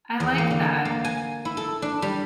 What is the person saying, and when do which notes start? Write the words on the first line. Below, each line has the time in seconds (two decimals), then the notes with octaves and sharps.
I like that.
0.20 E2
0.38 A#3
0.51 D3
0.85 A#3
1.04 G#5
1.45 E4
1.57 A4
1.82 D4
2.02 G3